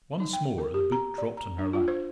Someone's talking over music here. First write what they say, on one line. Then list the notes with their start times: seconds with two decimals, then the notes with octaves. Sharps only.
Once more the book dropped on her lap.
0.20 D#4
0.33 G5
0.58 A#4
0.74 G4
0.92 A#5
1.18 D5
1.37 A#5
1.59 D4
1.73 F4
1.88 C5